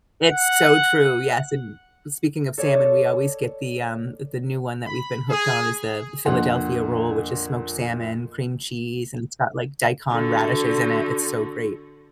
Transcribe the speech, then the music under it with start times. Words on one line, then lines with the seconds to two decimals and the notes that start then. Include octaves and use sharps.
It's so true, yes, and speaking of salmon, we always get the, um uh, the new one that we've been hooked on is the Philadelphia roll, which is smoked salmon, cream cheese, and it's got, like, daikon radishes in it, it's so great.
0.24 F#5
2.58 A4 C#5 D5 A5
4.85 B5
5.29 G#4
6.25 F2 A#2 D3 F#5 C6
10.12 D3 F#4